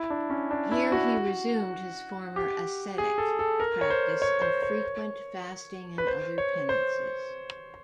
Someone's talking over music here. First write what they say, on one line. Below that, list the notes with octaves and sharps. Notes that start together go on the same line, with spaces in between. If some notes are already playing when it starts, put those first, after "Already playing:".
Here he resumed his former ascetic practice of frequent fasting and other penances.
Already playing: E4
D4
C#4
D4
E4
F#4
G4
G#4
A4
A4
A#4
C#5
C5
C#5
C5
C#5
B4
C5
C#5
C5